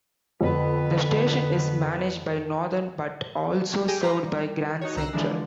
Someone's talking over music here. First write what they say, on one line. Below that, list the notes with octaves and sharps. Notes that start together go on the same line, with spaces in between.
The station is managed by Northern but also served by Grand Central.
F2 D3 B3 B4
G3 G4 G#4 G5 G#5 A#6
B4 C5 F5 A#5
G3
D#4 F#4 C#5
C2 A#5 E6 F#6 A#6 C7
D3 E3 F3 G#3 D4